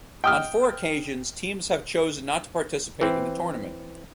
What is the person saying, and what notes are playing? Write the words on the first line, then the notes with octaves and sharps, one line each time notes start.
On four occasions teams have chosen not to participate in the tournament.
G5 D#6 F6
E3 C4